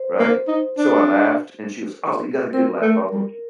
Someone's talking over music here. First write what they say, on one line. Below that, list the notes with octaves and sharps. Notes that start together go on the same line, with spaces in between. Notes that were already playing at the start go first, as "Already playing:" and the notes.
Right, so I laughed and she was, oh, you got a good laugh, I'll book you,
Already playing: C5
A#3
D#4
D4
C4 A#4
A3
G3